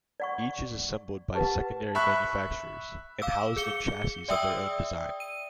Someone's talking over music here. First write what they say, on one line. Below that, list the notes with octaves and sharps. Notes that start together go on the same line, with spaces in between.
Each is assembled by secondary manufacturers, and housed in chassis of their own design.
D5 F#5 C#6
G4 B4 F#5 A5
E5 B5 C#6 F#6
F5 D6 E6
G#4 C#7 G7
D5 E5 G5 D#6 E6
D#7